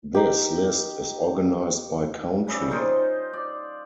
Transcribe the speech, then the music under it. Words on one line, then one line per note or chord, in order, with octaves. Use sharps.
This list is organized by country.
D#4 G4
C#3 G3 E5
D#4 F4 C5
D5